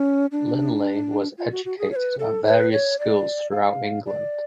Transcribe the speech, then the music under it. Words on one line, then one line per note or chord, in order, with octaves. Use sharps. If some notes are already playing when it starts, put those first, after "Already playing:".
Linley was educated at various schools throughout England.
Already playing: C#4
D4
F4
F#4
F#4
G#4
C#5
B4
A4
C#5
B4
C#5
D5
F5
D5